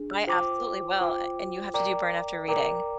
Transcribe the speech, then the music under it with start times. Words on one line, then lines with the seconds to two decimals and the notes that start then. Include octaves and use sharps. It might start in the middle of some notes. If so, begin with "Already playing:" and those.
I absolutely will, a and you have to do Burn After Reading
Already playing: D4 G#4
0.27 F4 C5 G5 D6
1.01 F4 C5 G5 D6
1.74 A#4 D5 G5 A#5 D6
2.48 A#4 D5 G5 A#5 D6